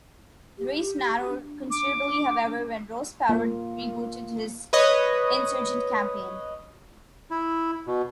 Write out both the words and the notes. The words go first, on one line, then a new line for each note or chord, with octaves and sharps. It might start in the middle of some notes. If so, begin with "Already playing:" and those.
The race narrowed considerably, however, when Ross Perot rebooted his insurgent campaign.
G4
D4
D6
A#3 F4
B4 C#5 D#5
E4
B2